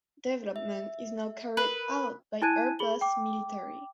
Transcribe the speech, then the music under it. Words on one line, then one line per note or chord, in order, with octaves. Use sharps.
Development is now carried out by Airbus Military.
E5
A#4 B4 F#6
E4 G#5 A5 F#6 G#6 D#7
G#4 B5 F#7 G7
G5 D6